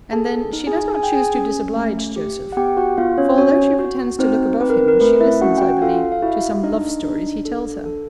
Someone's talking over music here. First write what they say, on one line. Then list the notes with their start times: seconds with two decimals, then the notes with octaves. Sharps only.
And then she does not choose to disoblige Joseph; for although she pretends to look above him, she listens, I believe, to some love-stories he tells her.
0.13 G#4 A4 A5
0.53 D#4
0.67 G#4 G#5
0.94 G#4 G#5
1.03 G5
1.13 G#4 G#5
1.35 C#4
1.76 A3
2.16 G4
2.52 F#5
2.57 B3 G4 G5
2.77 F#4 F#5
2.97 B3 F4 F5
3.18 C#4 C#5
3.38 C#4 F#4 C#5
3.79 F#4
4.19 C4 D#4 C5
4.60 C4 B4
4.70 A#4
4.88 A#4
5.01 A3 B4
5.21 E4 E5
5.41 C#4 F#4 F#5
5.58 G5
5.61 F#4 F#5
5.82 F4 A4 F5
6.12 F5
6.22 E4 F#4 E5
6.63 D4 D#4 D#5
7.03 D4
7.45 A4
7.86 A4